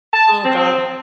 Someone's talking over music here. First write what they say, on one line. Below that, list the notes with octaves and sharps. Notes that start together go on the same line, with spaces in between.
Oh god.
A5
C4